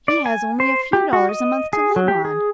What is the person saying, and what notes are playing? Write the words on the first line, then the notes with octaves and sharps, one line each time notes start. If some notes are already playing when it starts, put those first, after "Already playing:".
He has only a few dollars a month to live on.
D5
G#5
C5
G4
F#4
D#5
G#4
F#3
G4
G#4